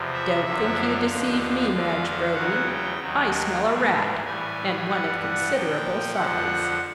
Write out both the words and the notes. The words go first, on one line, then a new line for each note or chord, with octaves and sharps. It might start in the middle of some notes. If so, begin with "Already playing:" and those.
"Don't think you deceive me, Madge Brodie--I smell a rat, and one of considerable size."
Already playing: E2 C3 F3
E5
F#2 D3 F3 E5
F5
D#2 D3 F3
F2 D3 F3
E2 C#3 F#3 F#5
G5
D#2 D#3 F#3
G#2 E3 G3
A2 E3 G3 G#5
G2 E3 G3 F#5
F#5
A#2 F3 G5
F2 D3 F3 F#5